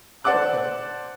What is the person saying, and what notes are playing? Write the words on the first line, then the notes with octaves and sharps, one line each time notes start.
Oh, okay.
C5 D5 F#5 A5 D6 F#6